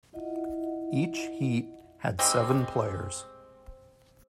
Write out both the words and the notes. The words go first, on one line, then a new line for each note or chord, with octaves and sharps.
Each heat had seven players.
E4 F4 D#5 E5 F#5
G3 G#3 C4